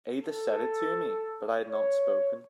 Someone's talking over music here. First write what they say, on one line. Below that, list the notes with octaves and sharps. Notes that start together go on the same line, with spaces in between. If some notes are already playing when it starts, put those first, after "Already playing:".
Ada said it to me, but I had not spoken.
A4
C#5